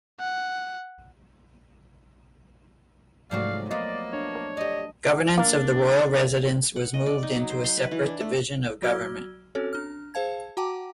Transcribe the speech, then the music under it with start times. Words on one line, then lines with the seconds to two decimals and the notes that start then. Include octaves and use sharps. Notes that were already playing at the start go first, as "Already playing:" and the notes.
Governance of the royal residence was moved into a separate division of government.
0.20 F#5
3.31 G#2 C3 F3 F#3 A3 F#4 D5 F5
3.71 A#3 B3 F4 D5 D#5
4.13 D4 C#5
4.57 G4 D5 D#5
5.38 A#3 D4 A#4
6.76 F#5
6.94 D#5
7.06 D5
7.23 D#4
7.36 F#3
7.49 C5
7.64 C6
7.77 B4
7.91 E3
8.06 D4
8.20 A3
8.82 F#3 F#4 E6 F6 G#6 G7
9.55 C4 C#4 F#4 A4 C#5
9.73 D4 F6
10.14 G#4 C5 F5 A5 G#6
10.57 F#4 F#5 G5 A5 A#5 D6